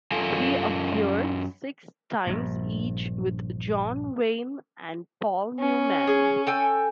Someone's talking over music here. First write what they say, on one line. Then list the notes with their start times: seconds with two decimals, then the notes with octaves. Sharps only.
He appeared six times each with John Wayne and Paul Newman.
0.12 F#2 F4 A4 F5 G#5
2.27 A#1 G2
5.59 C#4
6.07 G#4
6.47 A4 G5 G#5